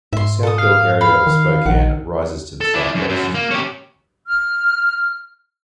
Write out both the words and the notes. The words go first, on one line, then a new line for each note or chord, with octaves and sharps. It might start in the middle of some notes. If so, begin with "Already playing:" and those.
The South Hill area of Spokane rises to the southwest.
G#2 E5 C6
A4 A5 D#6
F5
F5 B5
D#3
A#1 D#3 F#5
A4
E4 D5
F#2
F#2
A#3
C#4 G4
F6